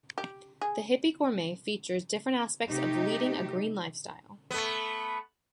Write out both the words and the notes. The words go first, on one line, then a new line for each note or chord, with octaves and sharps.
"The Hippy Gourmet" features different aspects on leading a green lifestyle.
G4
G#4
C3 A3 D#4 G4
A3 B3